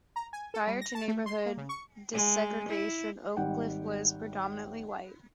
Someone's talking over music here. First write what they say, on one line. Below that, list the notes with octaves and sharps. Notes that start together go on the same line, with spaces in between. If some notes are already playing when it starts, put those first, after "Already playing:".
Prior to neighborhood desegregation, Oak Cliff was predominantly white.
A#5
G#5
A4
G3
A#6
A5
A3
C6
A#3
C#3
C#6
G#3
E4
G#1 D#3 G3 F#5 G5